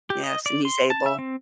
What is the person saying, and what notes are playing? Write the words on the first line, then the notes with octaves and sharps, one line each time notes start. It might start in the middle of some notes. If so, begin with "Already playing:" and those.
yes and he's able
G4
D#5
D5
C6
A5
E5
C4